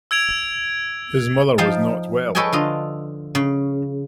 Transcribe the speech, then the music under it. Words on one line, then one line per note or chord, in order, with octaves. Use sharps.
His mother was not well.
E6 G#6 D7 F7
F3 D#4 F5 G5 A5
A4 B4 C#5 D#5 G5 G#5
D3 F4 D#5
C#3